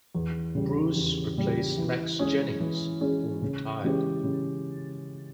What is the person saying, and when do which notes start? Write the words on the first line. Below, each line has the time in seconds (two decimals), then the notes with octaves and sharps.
Bruce replaced Max Jennings, who retired.
0.15 E2
0.55 C#3 G3
0.95 E2
1.37 C#3 G3
1.78 E3
2.19 G#3 C#4 G#4
2.60 E3
3.00 G#3 C#4 G#4
3.42 C#3
3.83 E3 G#3 C#4 G4
4.24 C#3